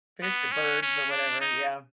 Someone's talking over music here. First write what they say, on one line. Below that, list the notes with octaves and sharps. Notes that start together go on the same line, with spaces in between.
Fish or birds or whatever, yeah.
B3
C#4
C#4
D4
D#4